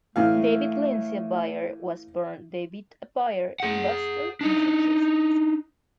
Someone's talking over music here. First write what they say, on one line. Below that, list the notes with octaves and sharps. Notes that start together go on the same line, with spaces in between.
David Lindsay-Abaire was born David Abaire in Boston, Massachusetts.
A2 E3 A3 F5
G#4 F#5
D4 D#4